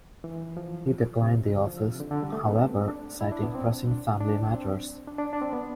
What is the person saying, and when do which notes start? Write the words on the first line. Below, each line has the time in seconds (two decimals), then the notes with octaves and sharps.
He declined the office, however, citing pressing family matters.
0.24 E3
0.57 F3
1.22 C3
1.56 D3
1.67 F3
1.88 C3
2.00 D3
2.11 D3
2.22 G3
2.32 A3
2.45 B3
2.55 C4
2.88 D4
3.21 E4
3.32 D4
3.43 B3
3.55 C4
3.87 D4
4.21 D4
4.53 C4
5.07 D4
5.18 D4
5.33 D4
5.42 C4
5.53 B3